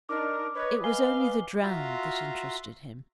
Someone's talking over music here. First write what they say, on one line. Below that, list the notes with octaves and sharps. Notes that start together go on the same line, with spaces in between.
It was only the drowned that interested him.
D4 D#4 A#4 D6
B4 C#5 D#5
F5 G#5 C7 G7
F4 F#4 E5 F5 A#5 C6